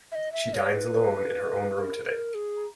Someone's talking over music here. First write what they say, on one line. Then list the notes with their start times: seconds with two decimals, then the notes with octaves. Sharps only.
She dines alone in her own room today.
0.12 E5
0.15 D#5
0.33 E5
0.54 C#5
0.74 B4
1.79 A#4
2.07 A#4
2.34 G#4